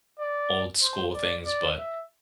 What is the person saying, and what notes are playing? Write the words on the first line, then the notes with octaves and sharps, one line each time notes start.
old school things, but,
D5
C5
D5
D5
E5